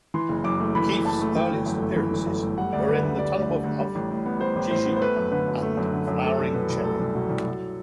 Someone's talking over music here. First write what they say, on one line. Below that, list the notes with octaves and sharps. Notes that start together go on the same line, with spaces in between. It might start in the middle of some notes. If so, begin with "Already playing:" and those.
Keith's earliest appearances were in "The Tunnel of Love", "Gigi", and "Flowering Cherry".
E3 C6
F#1
F#2 D6
A3
E3 B5
F#1
F#2 A5
A3
E3 G5
G1
F#2
A3
E3
G1
F#2
A3
G3 F#5
D2 D5
D3 B4
D2 B4
G3 D5
D2
D3
D2
G3
A1
A2
B3
G3 C5
A1
A2 C5
B3
C5
A3 B4
F#2
D3 B4
F#2
A3
F#2
D3
F#2
A3 A4
C2
B2 B4
C2
A3 A4
C2
B2
C2
F#3